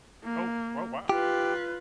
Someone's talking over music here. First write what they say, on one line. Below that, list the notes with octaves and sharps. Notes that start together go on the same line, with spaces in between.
Oh, oh, wow.
A#3
F4 G4 B4